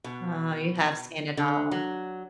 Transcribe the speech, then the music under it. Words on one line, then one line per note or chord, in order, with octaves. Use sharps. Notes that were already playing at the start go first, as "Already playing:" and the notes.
Oh, you have seen it all.
B2
D3
F#3